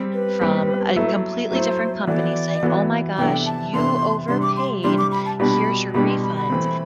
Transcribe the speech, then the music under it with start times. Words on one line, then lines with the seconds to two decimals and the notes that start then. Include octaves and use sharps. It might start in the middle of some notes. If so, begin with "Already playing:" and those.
from a completely different company saying, "Oh my gosh, you overpaid, here's your refund."
Already playing: G3 C4 G4
0.14 B4
0.41 G3 C4 G4
0.96 F#3 A3 E4 A4
1.52 F#3 A3 E4 A4 C5
2.07 E3 B3 F#4 A4 D5
2.63 E3 B3 F#4 A4
3.17 C3 E3 B3 D4 A4 G5
3.46 A5
3.73 C3 E3 B3 D4 A4 C6
4.28 C3 G3 D4 C6
4.42 D6
4.57 C6
4.84 C3 G3 D4 C6
4.98 D6
5.12 B5
5.26 A5
5.39 B2 G3 D4 G4 B5
5.94 B2 G3 D4 G4 B5
6.09 C6
6.23 B5
6.36 B5
6.50 E3 A3 C4